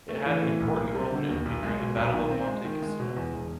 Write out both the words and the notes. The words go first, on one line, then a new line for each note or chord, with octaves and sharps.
It had an important role in Italy during the Battle of Monte Cassino.
A3
E3
A2
B1
A#3
G3
D3
D#2
B1
G#3
B2
B1
D#3
C4
G#3
D#3
G#3
B2
E2
E1